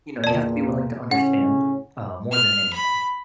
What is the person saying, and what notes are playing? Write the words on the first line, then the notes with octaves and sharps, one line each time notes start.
you know, you have to be willing to understand, uh, more than anything.
E2 A#2 D5 A5
A2 C#3 C#4 F#5
F6
B5